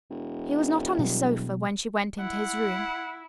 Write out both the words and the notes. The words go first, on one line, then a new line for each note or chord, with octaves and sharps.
He was not on his sofa when she went into his room.
E1
B2 F#3 G3
E4 F#5